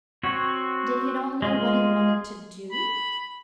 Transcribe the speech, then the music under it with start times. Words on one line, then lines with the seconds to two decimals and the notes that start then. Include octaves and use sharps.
Did he at all know what he wanted to do?
0.23 C4 F#4 C#5
1.42 G#3 F4 G#4
2.71 B5